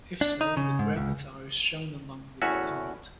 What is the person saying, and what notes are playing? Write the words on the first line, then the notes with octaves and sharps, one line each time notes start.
If so, the Gravatar is shown along with the comment.
D4
D#4
C#3
G#2
C#2
E2 A2 C#4 F#4 E5